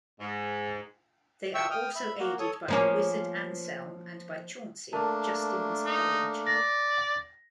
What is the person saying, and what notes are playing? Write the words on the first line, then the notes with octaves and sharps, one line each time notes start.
They are also aided by the wizard Anselm and by Chauncey, Justin's page.
G#2
E5 G5 C#6 E6
G5 D#6 F6
E5 B5
A#3 F#4
A4 C#5 D#6
F3 A#3 C#4
A3 A#3 D4 A#4 A5
D#4
D5 A#6